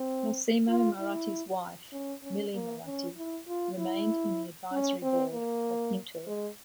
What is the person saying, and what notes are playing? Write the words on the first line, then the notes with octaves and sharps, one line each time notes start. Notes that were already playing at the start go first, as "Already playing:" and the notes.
Massimo Moratti's wife, Milly Moratti, remained in the Advisory Board of Inter.
Already playing: C4
F4
E4
C#4
C#4
A#3
C#4
E4
F4
E4
C#4
C4
A#3
G#3